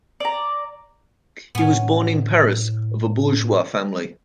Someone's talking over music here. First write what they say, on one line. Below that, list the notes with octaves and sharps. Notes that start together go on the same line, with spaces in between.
He was born in Paris, of a bourgeois family.
D5 A#5
A2 B3 C#4